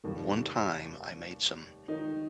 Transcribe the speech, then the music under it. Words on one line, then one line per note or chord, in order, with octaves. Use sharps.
one time, I made some
F1 D#2 D#3 G3
D#3 D#4